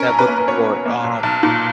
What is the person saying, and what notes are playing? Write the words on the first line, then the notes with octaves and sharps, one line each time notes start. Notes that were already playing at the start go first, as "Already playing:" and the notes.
that book before, um
Already playing: C#4 A#4
B1
B4
A#3
B4
B2 C#5
C#4
A#3
B1
B1
A#2